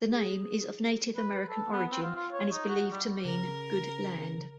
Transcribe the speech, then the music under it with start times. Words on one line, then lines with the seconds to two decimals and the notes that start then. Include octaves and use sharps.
The name is of Native American origin and is believed to mean "good land".
0.10 G#4
1.16 B4
1.35 B4
1.49 A4
1.72 B3
1.92 C4
2.03 F4
2.16 F4
2.32 C#5
2.51 D#4
2.68 F#4
2.91 G3
3.25 C#3 A#4